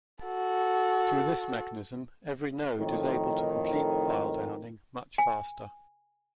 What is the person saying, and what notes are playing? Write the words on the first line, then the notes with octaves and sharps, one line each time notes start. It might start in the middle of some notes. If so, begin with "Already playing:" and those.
Through this mechanism, every node is able to complete the file downing much faster.
F#4 A4
F2 A2 D#3
G#5